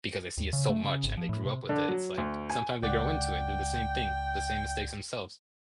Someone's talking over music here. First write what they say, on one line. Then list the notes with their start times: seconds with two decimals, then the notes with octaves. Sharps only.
because they see it so much and they grew up with it, it's like sometimes they grow into it and do the same thing, the same mistakes themselves.
0.37 D#2
0.53 C#3
0.69 A3
0.84 C#3
1.04 G#1
1.17 F3
1.29 A2
1.45 C3
1.69 D3
1.88 F#3
2.18 D2
2.50 G#5
2.83 C#2 D5 F#5 G5